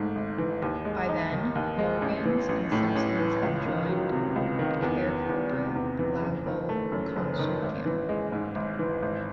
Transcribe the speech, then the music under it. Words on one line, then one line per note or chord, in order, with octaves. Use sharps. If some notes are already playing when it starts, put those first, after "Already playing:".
By then, Morgan's and Simpson's had joined the Carrefour Laval consortium.
Already playing: G#1 G#2 A3
G#1
E3
D#2
G#3
D#4
D#3
D#2
G#3
A1
E3
A1
A2
A1
E3
C#2
D#3
F#3
C3
C#2
D#3
E2
E3
E2
C3
E2
E3
F#1
D#3
A3
F#2
F#1
D#3
G#1
E3
G#3
G#2
G#1
E3
G#1